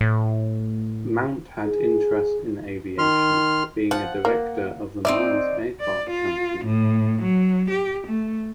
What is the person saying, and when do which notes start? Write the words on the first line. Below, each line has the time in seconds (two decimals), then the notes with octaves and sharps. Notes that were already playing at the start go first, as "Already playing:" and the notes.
Mount had interest in aviation, being a director of the Miles Aircraft Company.
0.01 A2
1.66 G#4
2.98 D#3 C6 F6
3.91 F3 F#5
4.25 A#3
5.05 C4 D#4 D5 E5
5.80 D5
6.10 F4
6.65 A2
7.21 F#3
7.70 G4
8.07 A3